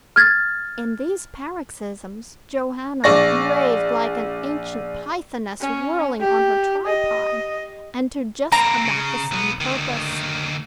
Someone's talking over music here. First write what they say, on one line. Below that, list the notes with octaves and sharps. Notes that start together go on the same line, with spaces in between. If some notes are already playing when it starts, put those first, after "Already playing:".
In these paroxysms, Joanna raved like an ancient Pythoness whirling on her tripod, and to just about the same purpose.
F6 G#6 A6
A#1 D5 C#6 A#6
C#4
G4
D#5
A#3 C4 A#5
C#3
B1 B3
D2 D#3